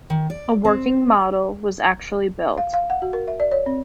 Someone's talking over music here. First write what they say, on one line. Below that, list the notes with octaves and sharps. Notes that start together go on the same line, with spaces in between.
A working model was actually built.
D#3
D5
C4
F5
F5
F#5
F#4
A#4
E5
D5
C#5
C4